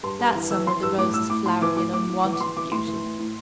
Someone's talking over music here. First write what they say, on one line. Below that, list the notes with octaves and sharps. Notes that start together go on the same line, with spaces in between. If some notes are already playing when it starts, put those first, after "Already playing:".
That summer the roses flowered in unwonted beauty.
G2 C6
G2
E3
E3 E6
E3 C6
G2 E6
A2 D6
A2 E6
A2 D6
A2 C6
E3 D6
A2 D6
A2 D6
A2
E3
D6
E3 C6
E3 D6
A2 C6
E3
A2
A2